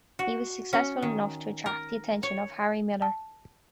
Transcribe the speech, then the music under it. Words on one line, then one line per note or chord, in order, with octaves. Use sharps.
He was successful enough to attract the attention of Harry Miller.
F#4
C#4
D#3
A#4
C#5
A5